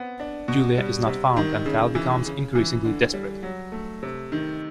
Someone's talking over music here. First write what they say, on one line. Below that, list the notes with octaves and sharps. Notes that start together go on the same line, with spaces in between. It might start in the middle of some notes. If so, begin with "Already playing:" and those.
Julia is not found and Kyle becomes increasingly desperate.
Already playing: B3 C4
D4
B2
G3
C3
D#3
C#3
E3
C#3
E3
D3
G3
F#3
A3
C3
D#3